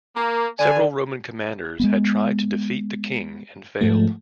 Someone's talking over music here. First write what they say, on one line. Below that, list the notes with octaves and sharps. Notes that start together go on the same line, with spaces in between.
Several Roman commanders had tried to defeat the king and failed.
A#3
D3 D5 G#5
G#3 A#3 B3
G#2 F3 A3